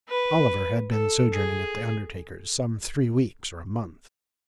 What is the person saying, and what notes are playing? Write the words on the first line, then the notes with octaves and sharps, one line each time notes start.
Oliver had been sojourning at the undertaker's some three weeks or a month.
B4
A4
G#4